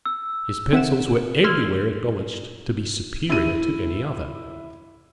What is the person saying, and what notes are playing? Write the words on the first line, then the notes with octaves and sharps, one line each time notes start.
His pencils were everywhere acknowledged to be superior to any other.
E6
C4 E5 F#5 E7
C6 E6 F6 G#6
E4 D#7